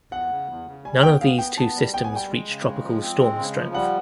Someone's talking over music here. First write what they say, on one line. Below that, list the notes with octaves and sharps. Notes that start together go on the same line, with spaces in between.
None of these two systems reached tropical storm strength.
E2 F#5
C#3
E2
C#3
G3 G#5
B3 G5
B3 F5
B3 G5
B3 A5
G3
B3 G5
G#5
G3
G5
G#3
C#3
G#3
F3
C4
G#3
C#3
F3
G3 F#5